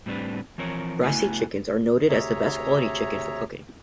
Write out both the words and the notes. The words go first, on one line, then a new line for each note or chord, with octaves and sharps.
Bresse chickens are noted as the best quality chicken for cooking.
A2 G3 C4 D4 B4
E3 F3 C4 A#4 C#5
C#2 A3 B3 E4 F#4 G#5
D2 C3 G#4 C#5 E5 A#5